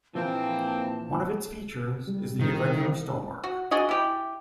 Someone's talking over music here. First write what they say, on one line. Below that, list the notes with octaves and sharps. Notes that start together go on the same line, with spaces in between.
One of its features is the irregular stonework.
A#2 E3 F3 A#3 C4 A5
G3
C2 D#3
F#4
D4 F#4 G#4 D#5
E4 G4 G5